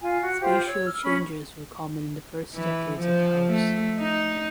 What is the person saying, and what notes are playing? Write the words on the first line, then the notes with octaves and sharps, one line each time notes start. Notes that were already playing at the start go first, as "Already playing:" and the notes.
Spatial changes were common in the first decades of the house.
F4 G#5
F#4
F4 G4 C5 F5
C#5 E6
E6 F6
C#4 B5
E3
F3
A3
D#4